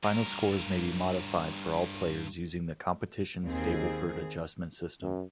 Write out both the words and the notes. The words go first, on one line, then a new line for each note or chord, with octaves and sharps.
Final scores may be modified for all players using the Competition Stableford Adjustment system.
G2 A#4
D#2 C4 G#4
F#2